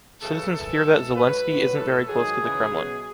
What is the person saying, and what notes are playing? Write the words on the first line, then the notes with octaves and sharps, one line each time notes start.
Citizens fear that Zelensky isn’t very close to the Kremlin.
F#2 C#3 E3 A4
F#2 E3 A4
G#2 E3
G#2 F#3 B4
A2 F#3
A2 F#3 A4
G#2 D#3 F#3 G#4
F#2 C#3 E3
B2 F#3